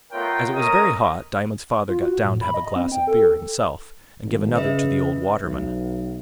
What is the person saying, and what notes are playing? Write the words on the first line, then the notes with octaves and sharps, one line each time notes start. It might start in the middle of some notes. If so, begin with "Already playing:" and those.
As it was very hot, Diamond's father got down to have a glass of beer himself, and give another to the old waterman.
A3 B3 F4 A#4 C#5 G5
A3 C#4 A#4 D#5 A#5 D#6
F4
F#4
A2
B5
D#5
C4
G5
A4
G#1
C#3 B4 D#5 E5
B1